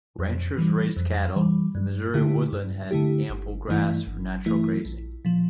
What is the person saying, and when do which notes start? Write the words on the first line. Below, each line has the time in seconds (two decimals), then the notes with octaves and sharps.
Ranchers raised cattle; the Missouri woodland had ample grass for natural grazing.
0.19 F2
0.58 E3 G3
0.96 F2
1.36 E3 G3
1.75 G2
2.14 D3 A3 E4 G4
2.53 G2
2.91 D3 A3 E4 G4
3.29 G1
3.69 G2 E3 A3 E4
4.07 G1
4.46 G2 E3 A3 E4
4.85 A#1
5.25 A#2 F3